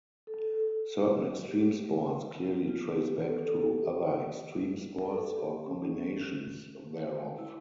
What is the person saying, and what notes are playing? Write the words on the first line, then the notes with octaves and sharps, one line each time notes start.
Certain extreme sports clearly trace back to other extreme sports, or combinations thereof.
A4
G4
F4
G4
A4
A4
G4
A#4
A4
G4
C#4
E4